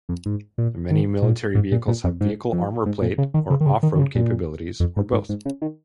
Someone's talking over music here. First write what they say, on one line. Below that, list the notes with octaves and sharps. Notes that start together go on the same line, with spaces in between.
Many military vehicles have vehicle armour plate or off-road capabilities or both.
F2
G#2
A#2
D#3
A#2
G#2
A#2
A#2
F2
G#2
F2
G#2
A#2
C#3
D#3
C#3
D#3
C#3
D#3
D#3
C#3
A#2
F2
G#2
G#2
G#2
C#3
D#3